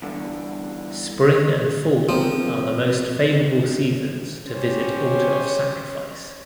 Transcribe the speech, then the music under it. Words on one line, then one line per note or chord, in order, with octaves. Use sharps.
Spring and fall are the most favorable seasons to visit Altar of Sacrifice.
E2 G2 D3
F3 A#3 C4
C#4 G4 C5 C#5